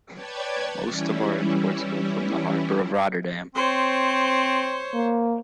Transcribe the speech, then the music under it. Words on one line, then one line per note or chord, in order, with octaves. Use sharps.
Most of our imports come from the harbor of Rotterdam.
B4 C#5 D5 G5 A5 G#6
E3 G3 C#4 E4
C4 C5 C#5
A#3